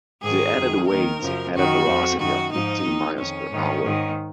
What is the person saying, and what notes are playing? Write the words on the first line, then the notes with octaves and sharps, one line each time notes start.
The added weight had a velocity of fifteen miles per hour.
G#2 D#3 G#4
F#2 D#3
D#2 D#3 A#4
F#2 C#3 F3
F#2 D#3 F#4
F2 F3
F#2 D#3 F#4
G#2 F3 D#4
D#2 D#3
F2 D#3 C#4
G#2 D#3
G#2 D#3